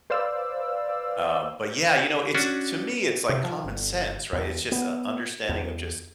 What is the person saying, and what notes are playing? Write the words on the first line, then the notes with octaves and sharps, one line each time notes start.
uh, but yeah, you know? It's to me it's like common sense, right? It's just, uh, understanding of just
B4 C5 D5 F5 E6
C#4 D4 F#4
C3
F3
G1
E2
B3
E2